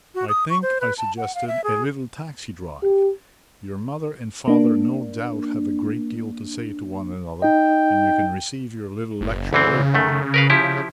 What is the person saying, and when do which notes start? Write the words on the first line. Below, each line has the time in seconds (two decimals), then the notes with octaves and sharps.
"I think," I suggested, "a little taxi drive----Your mother and father no doubt have a great deal to say to one another, and you can receive your little lecture later."
0.15 F#4
0.29 D#6
0.50 C#6
0.62 C5
0.81 B4
0.98 A5
1.17 F#5
1.35 F5
1.48 E5
1.64 G#4
2.83 G4
4.48 A#3 D4
7.42 D#4 D#5 G5
9.21 F#1
9.53 D2 C#3 E3 C4
9.94 F#2 D#3 A3
10.34 A#4 B4 F5
10.50 F3 E4 G4